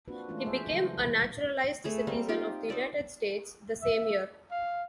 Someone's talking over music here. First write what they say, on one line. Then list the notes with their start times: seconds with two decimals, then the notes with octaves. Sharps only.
He became a naturalized citizen of the United States the same year.
0.08 A#3 C4 D4 F4 F#4 B4
0.29 E3 G#3 A3 C#4 D4 F4
0.44 G#4 A4 C5 E5
0.70 C#3 E3 F#3 G3
1.84 A3 G#4 B4
2.07 G3 A#3 C4
2.28 D#4 F4 G4
2.69 D#4 C5 D5 E5
3.83 E5
4.51 F5